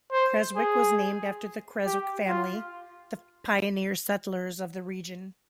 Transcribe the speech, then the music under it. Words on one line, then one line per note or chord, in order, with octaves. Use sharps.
Creswick was named after the Creswick family, the pioneer settlers of the region.
C5
G#4
G4
F4